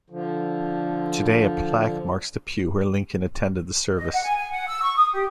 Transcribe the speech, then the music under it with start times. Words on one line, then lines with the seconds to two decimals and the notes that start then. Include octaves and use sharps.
Today a plaque marks the pew where Lincoln attended the service.
0.10 D3 F3
3.97 D#5
4.12 F#5
4.24 G#5
4.37 G#5
4.51 F#5
4.68 E6
4.82 C#6
4.97 D#6
5.12 G4